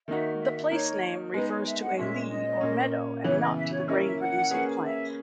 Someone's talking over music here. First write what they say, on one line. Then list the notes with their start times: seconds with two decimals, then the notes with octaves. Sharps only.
The place-name refers to a lea or meadow and not to the grain-producing plant.
0.08 D#3 A#3 D#4 F#4 E5
0.39 E5
0.71 A#3 D#4 A#4 C#5
1.34 G#3 B3 D#4 B4
1.50 C#5
1.66 E5
1.82 F#5
1.97 A#2 G#3 C#4 E5
2.29 D#5
2.61 A#2 A#3 C#4
3.24 C#3 E3 B3 C#5
3.40 D#5
3.56 E5
3.72 C#5
3.87 A#3 C#4 E4 A#4 D#5
4.03 E5
4.19 F#5
4.51 A#3 C#4 G#4 B4
4.83 E5